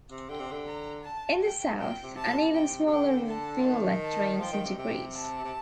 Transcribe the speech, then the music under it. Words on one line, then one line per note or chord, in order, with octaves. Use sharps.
In the south, an even smaller rivulet drains into Greece.
C3
D3 G5
C3
D3
A#5
A5
G5
A#2 G5
C3
C3 A5
A#2
C3
G5
C3
D3 G5
A5
F3
D#3
A5
F3 G5
D#3
C3
C3 G5
A5
C3